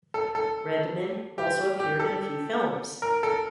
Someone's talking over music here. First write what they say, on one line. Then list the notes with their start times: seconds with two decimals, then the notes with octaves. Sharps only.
Redman also appeared in a few films.
0.14 A4
0.35 A4
1.38 G4
1.80 G4
2.00 A4
3.02 A#4
3.23 A4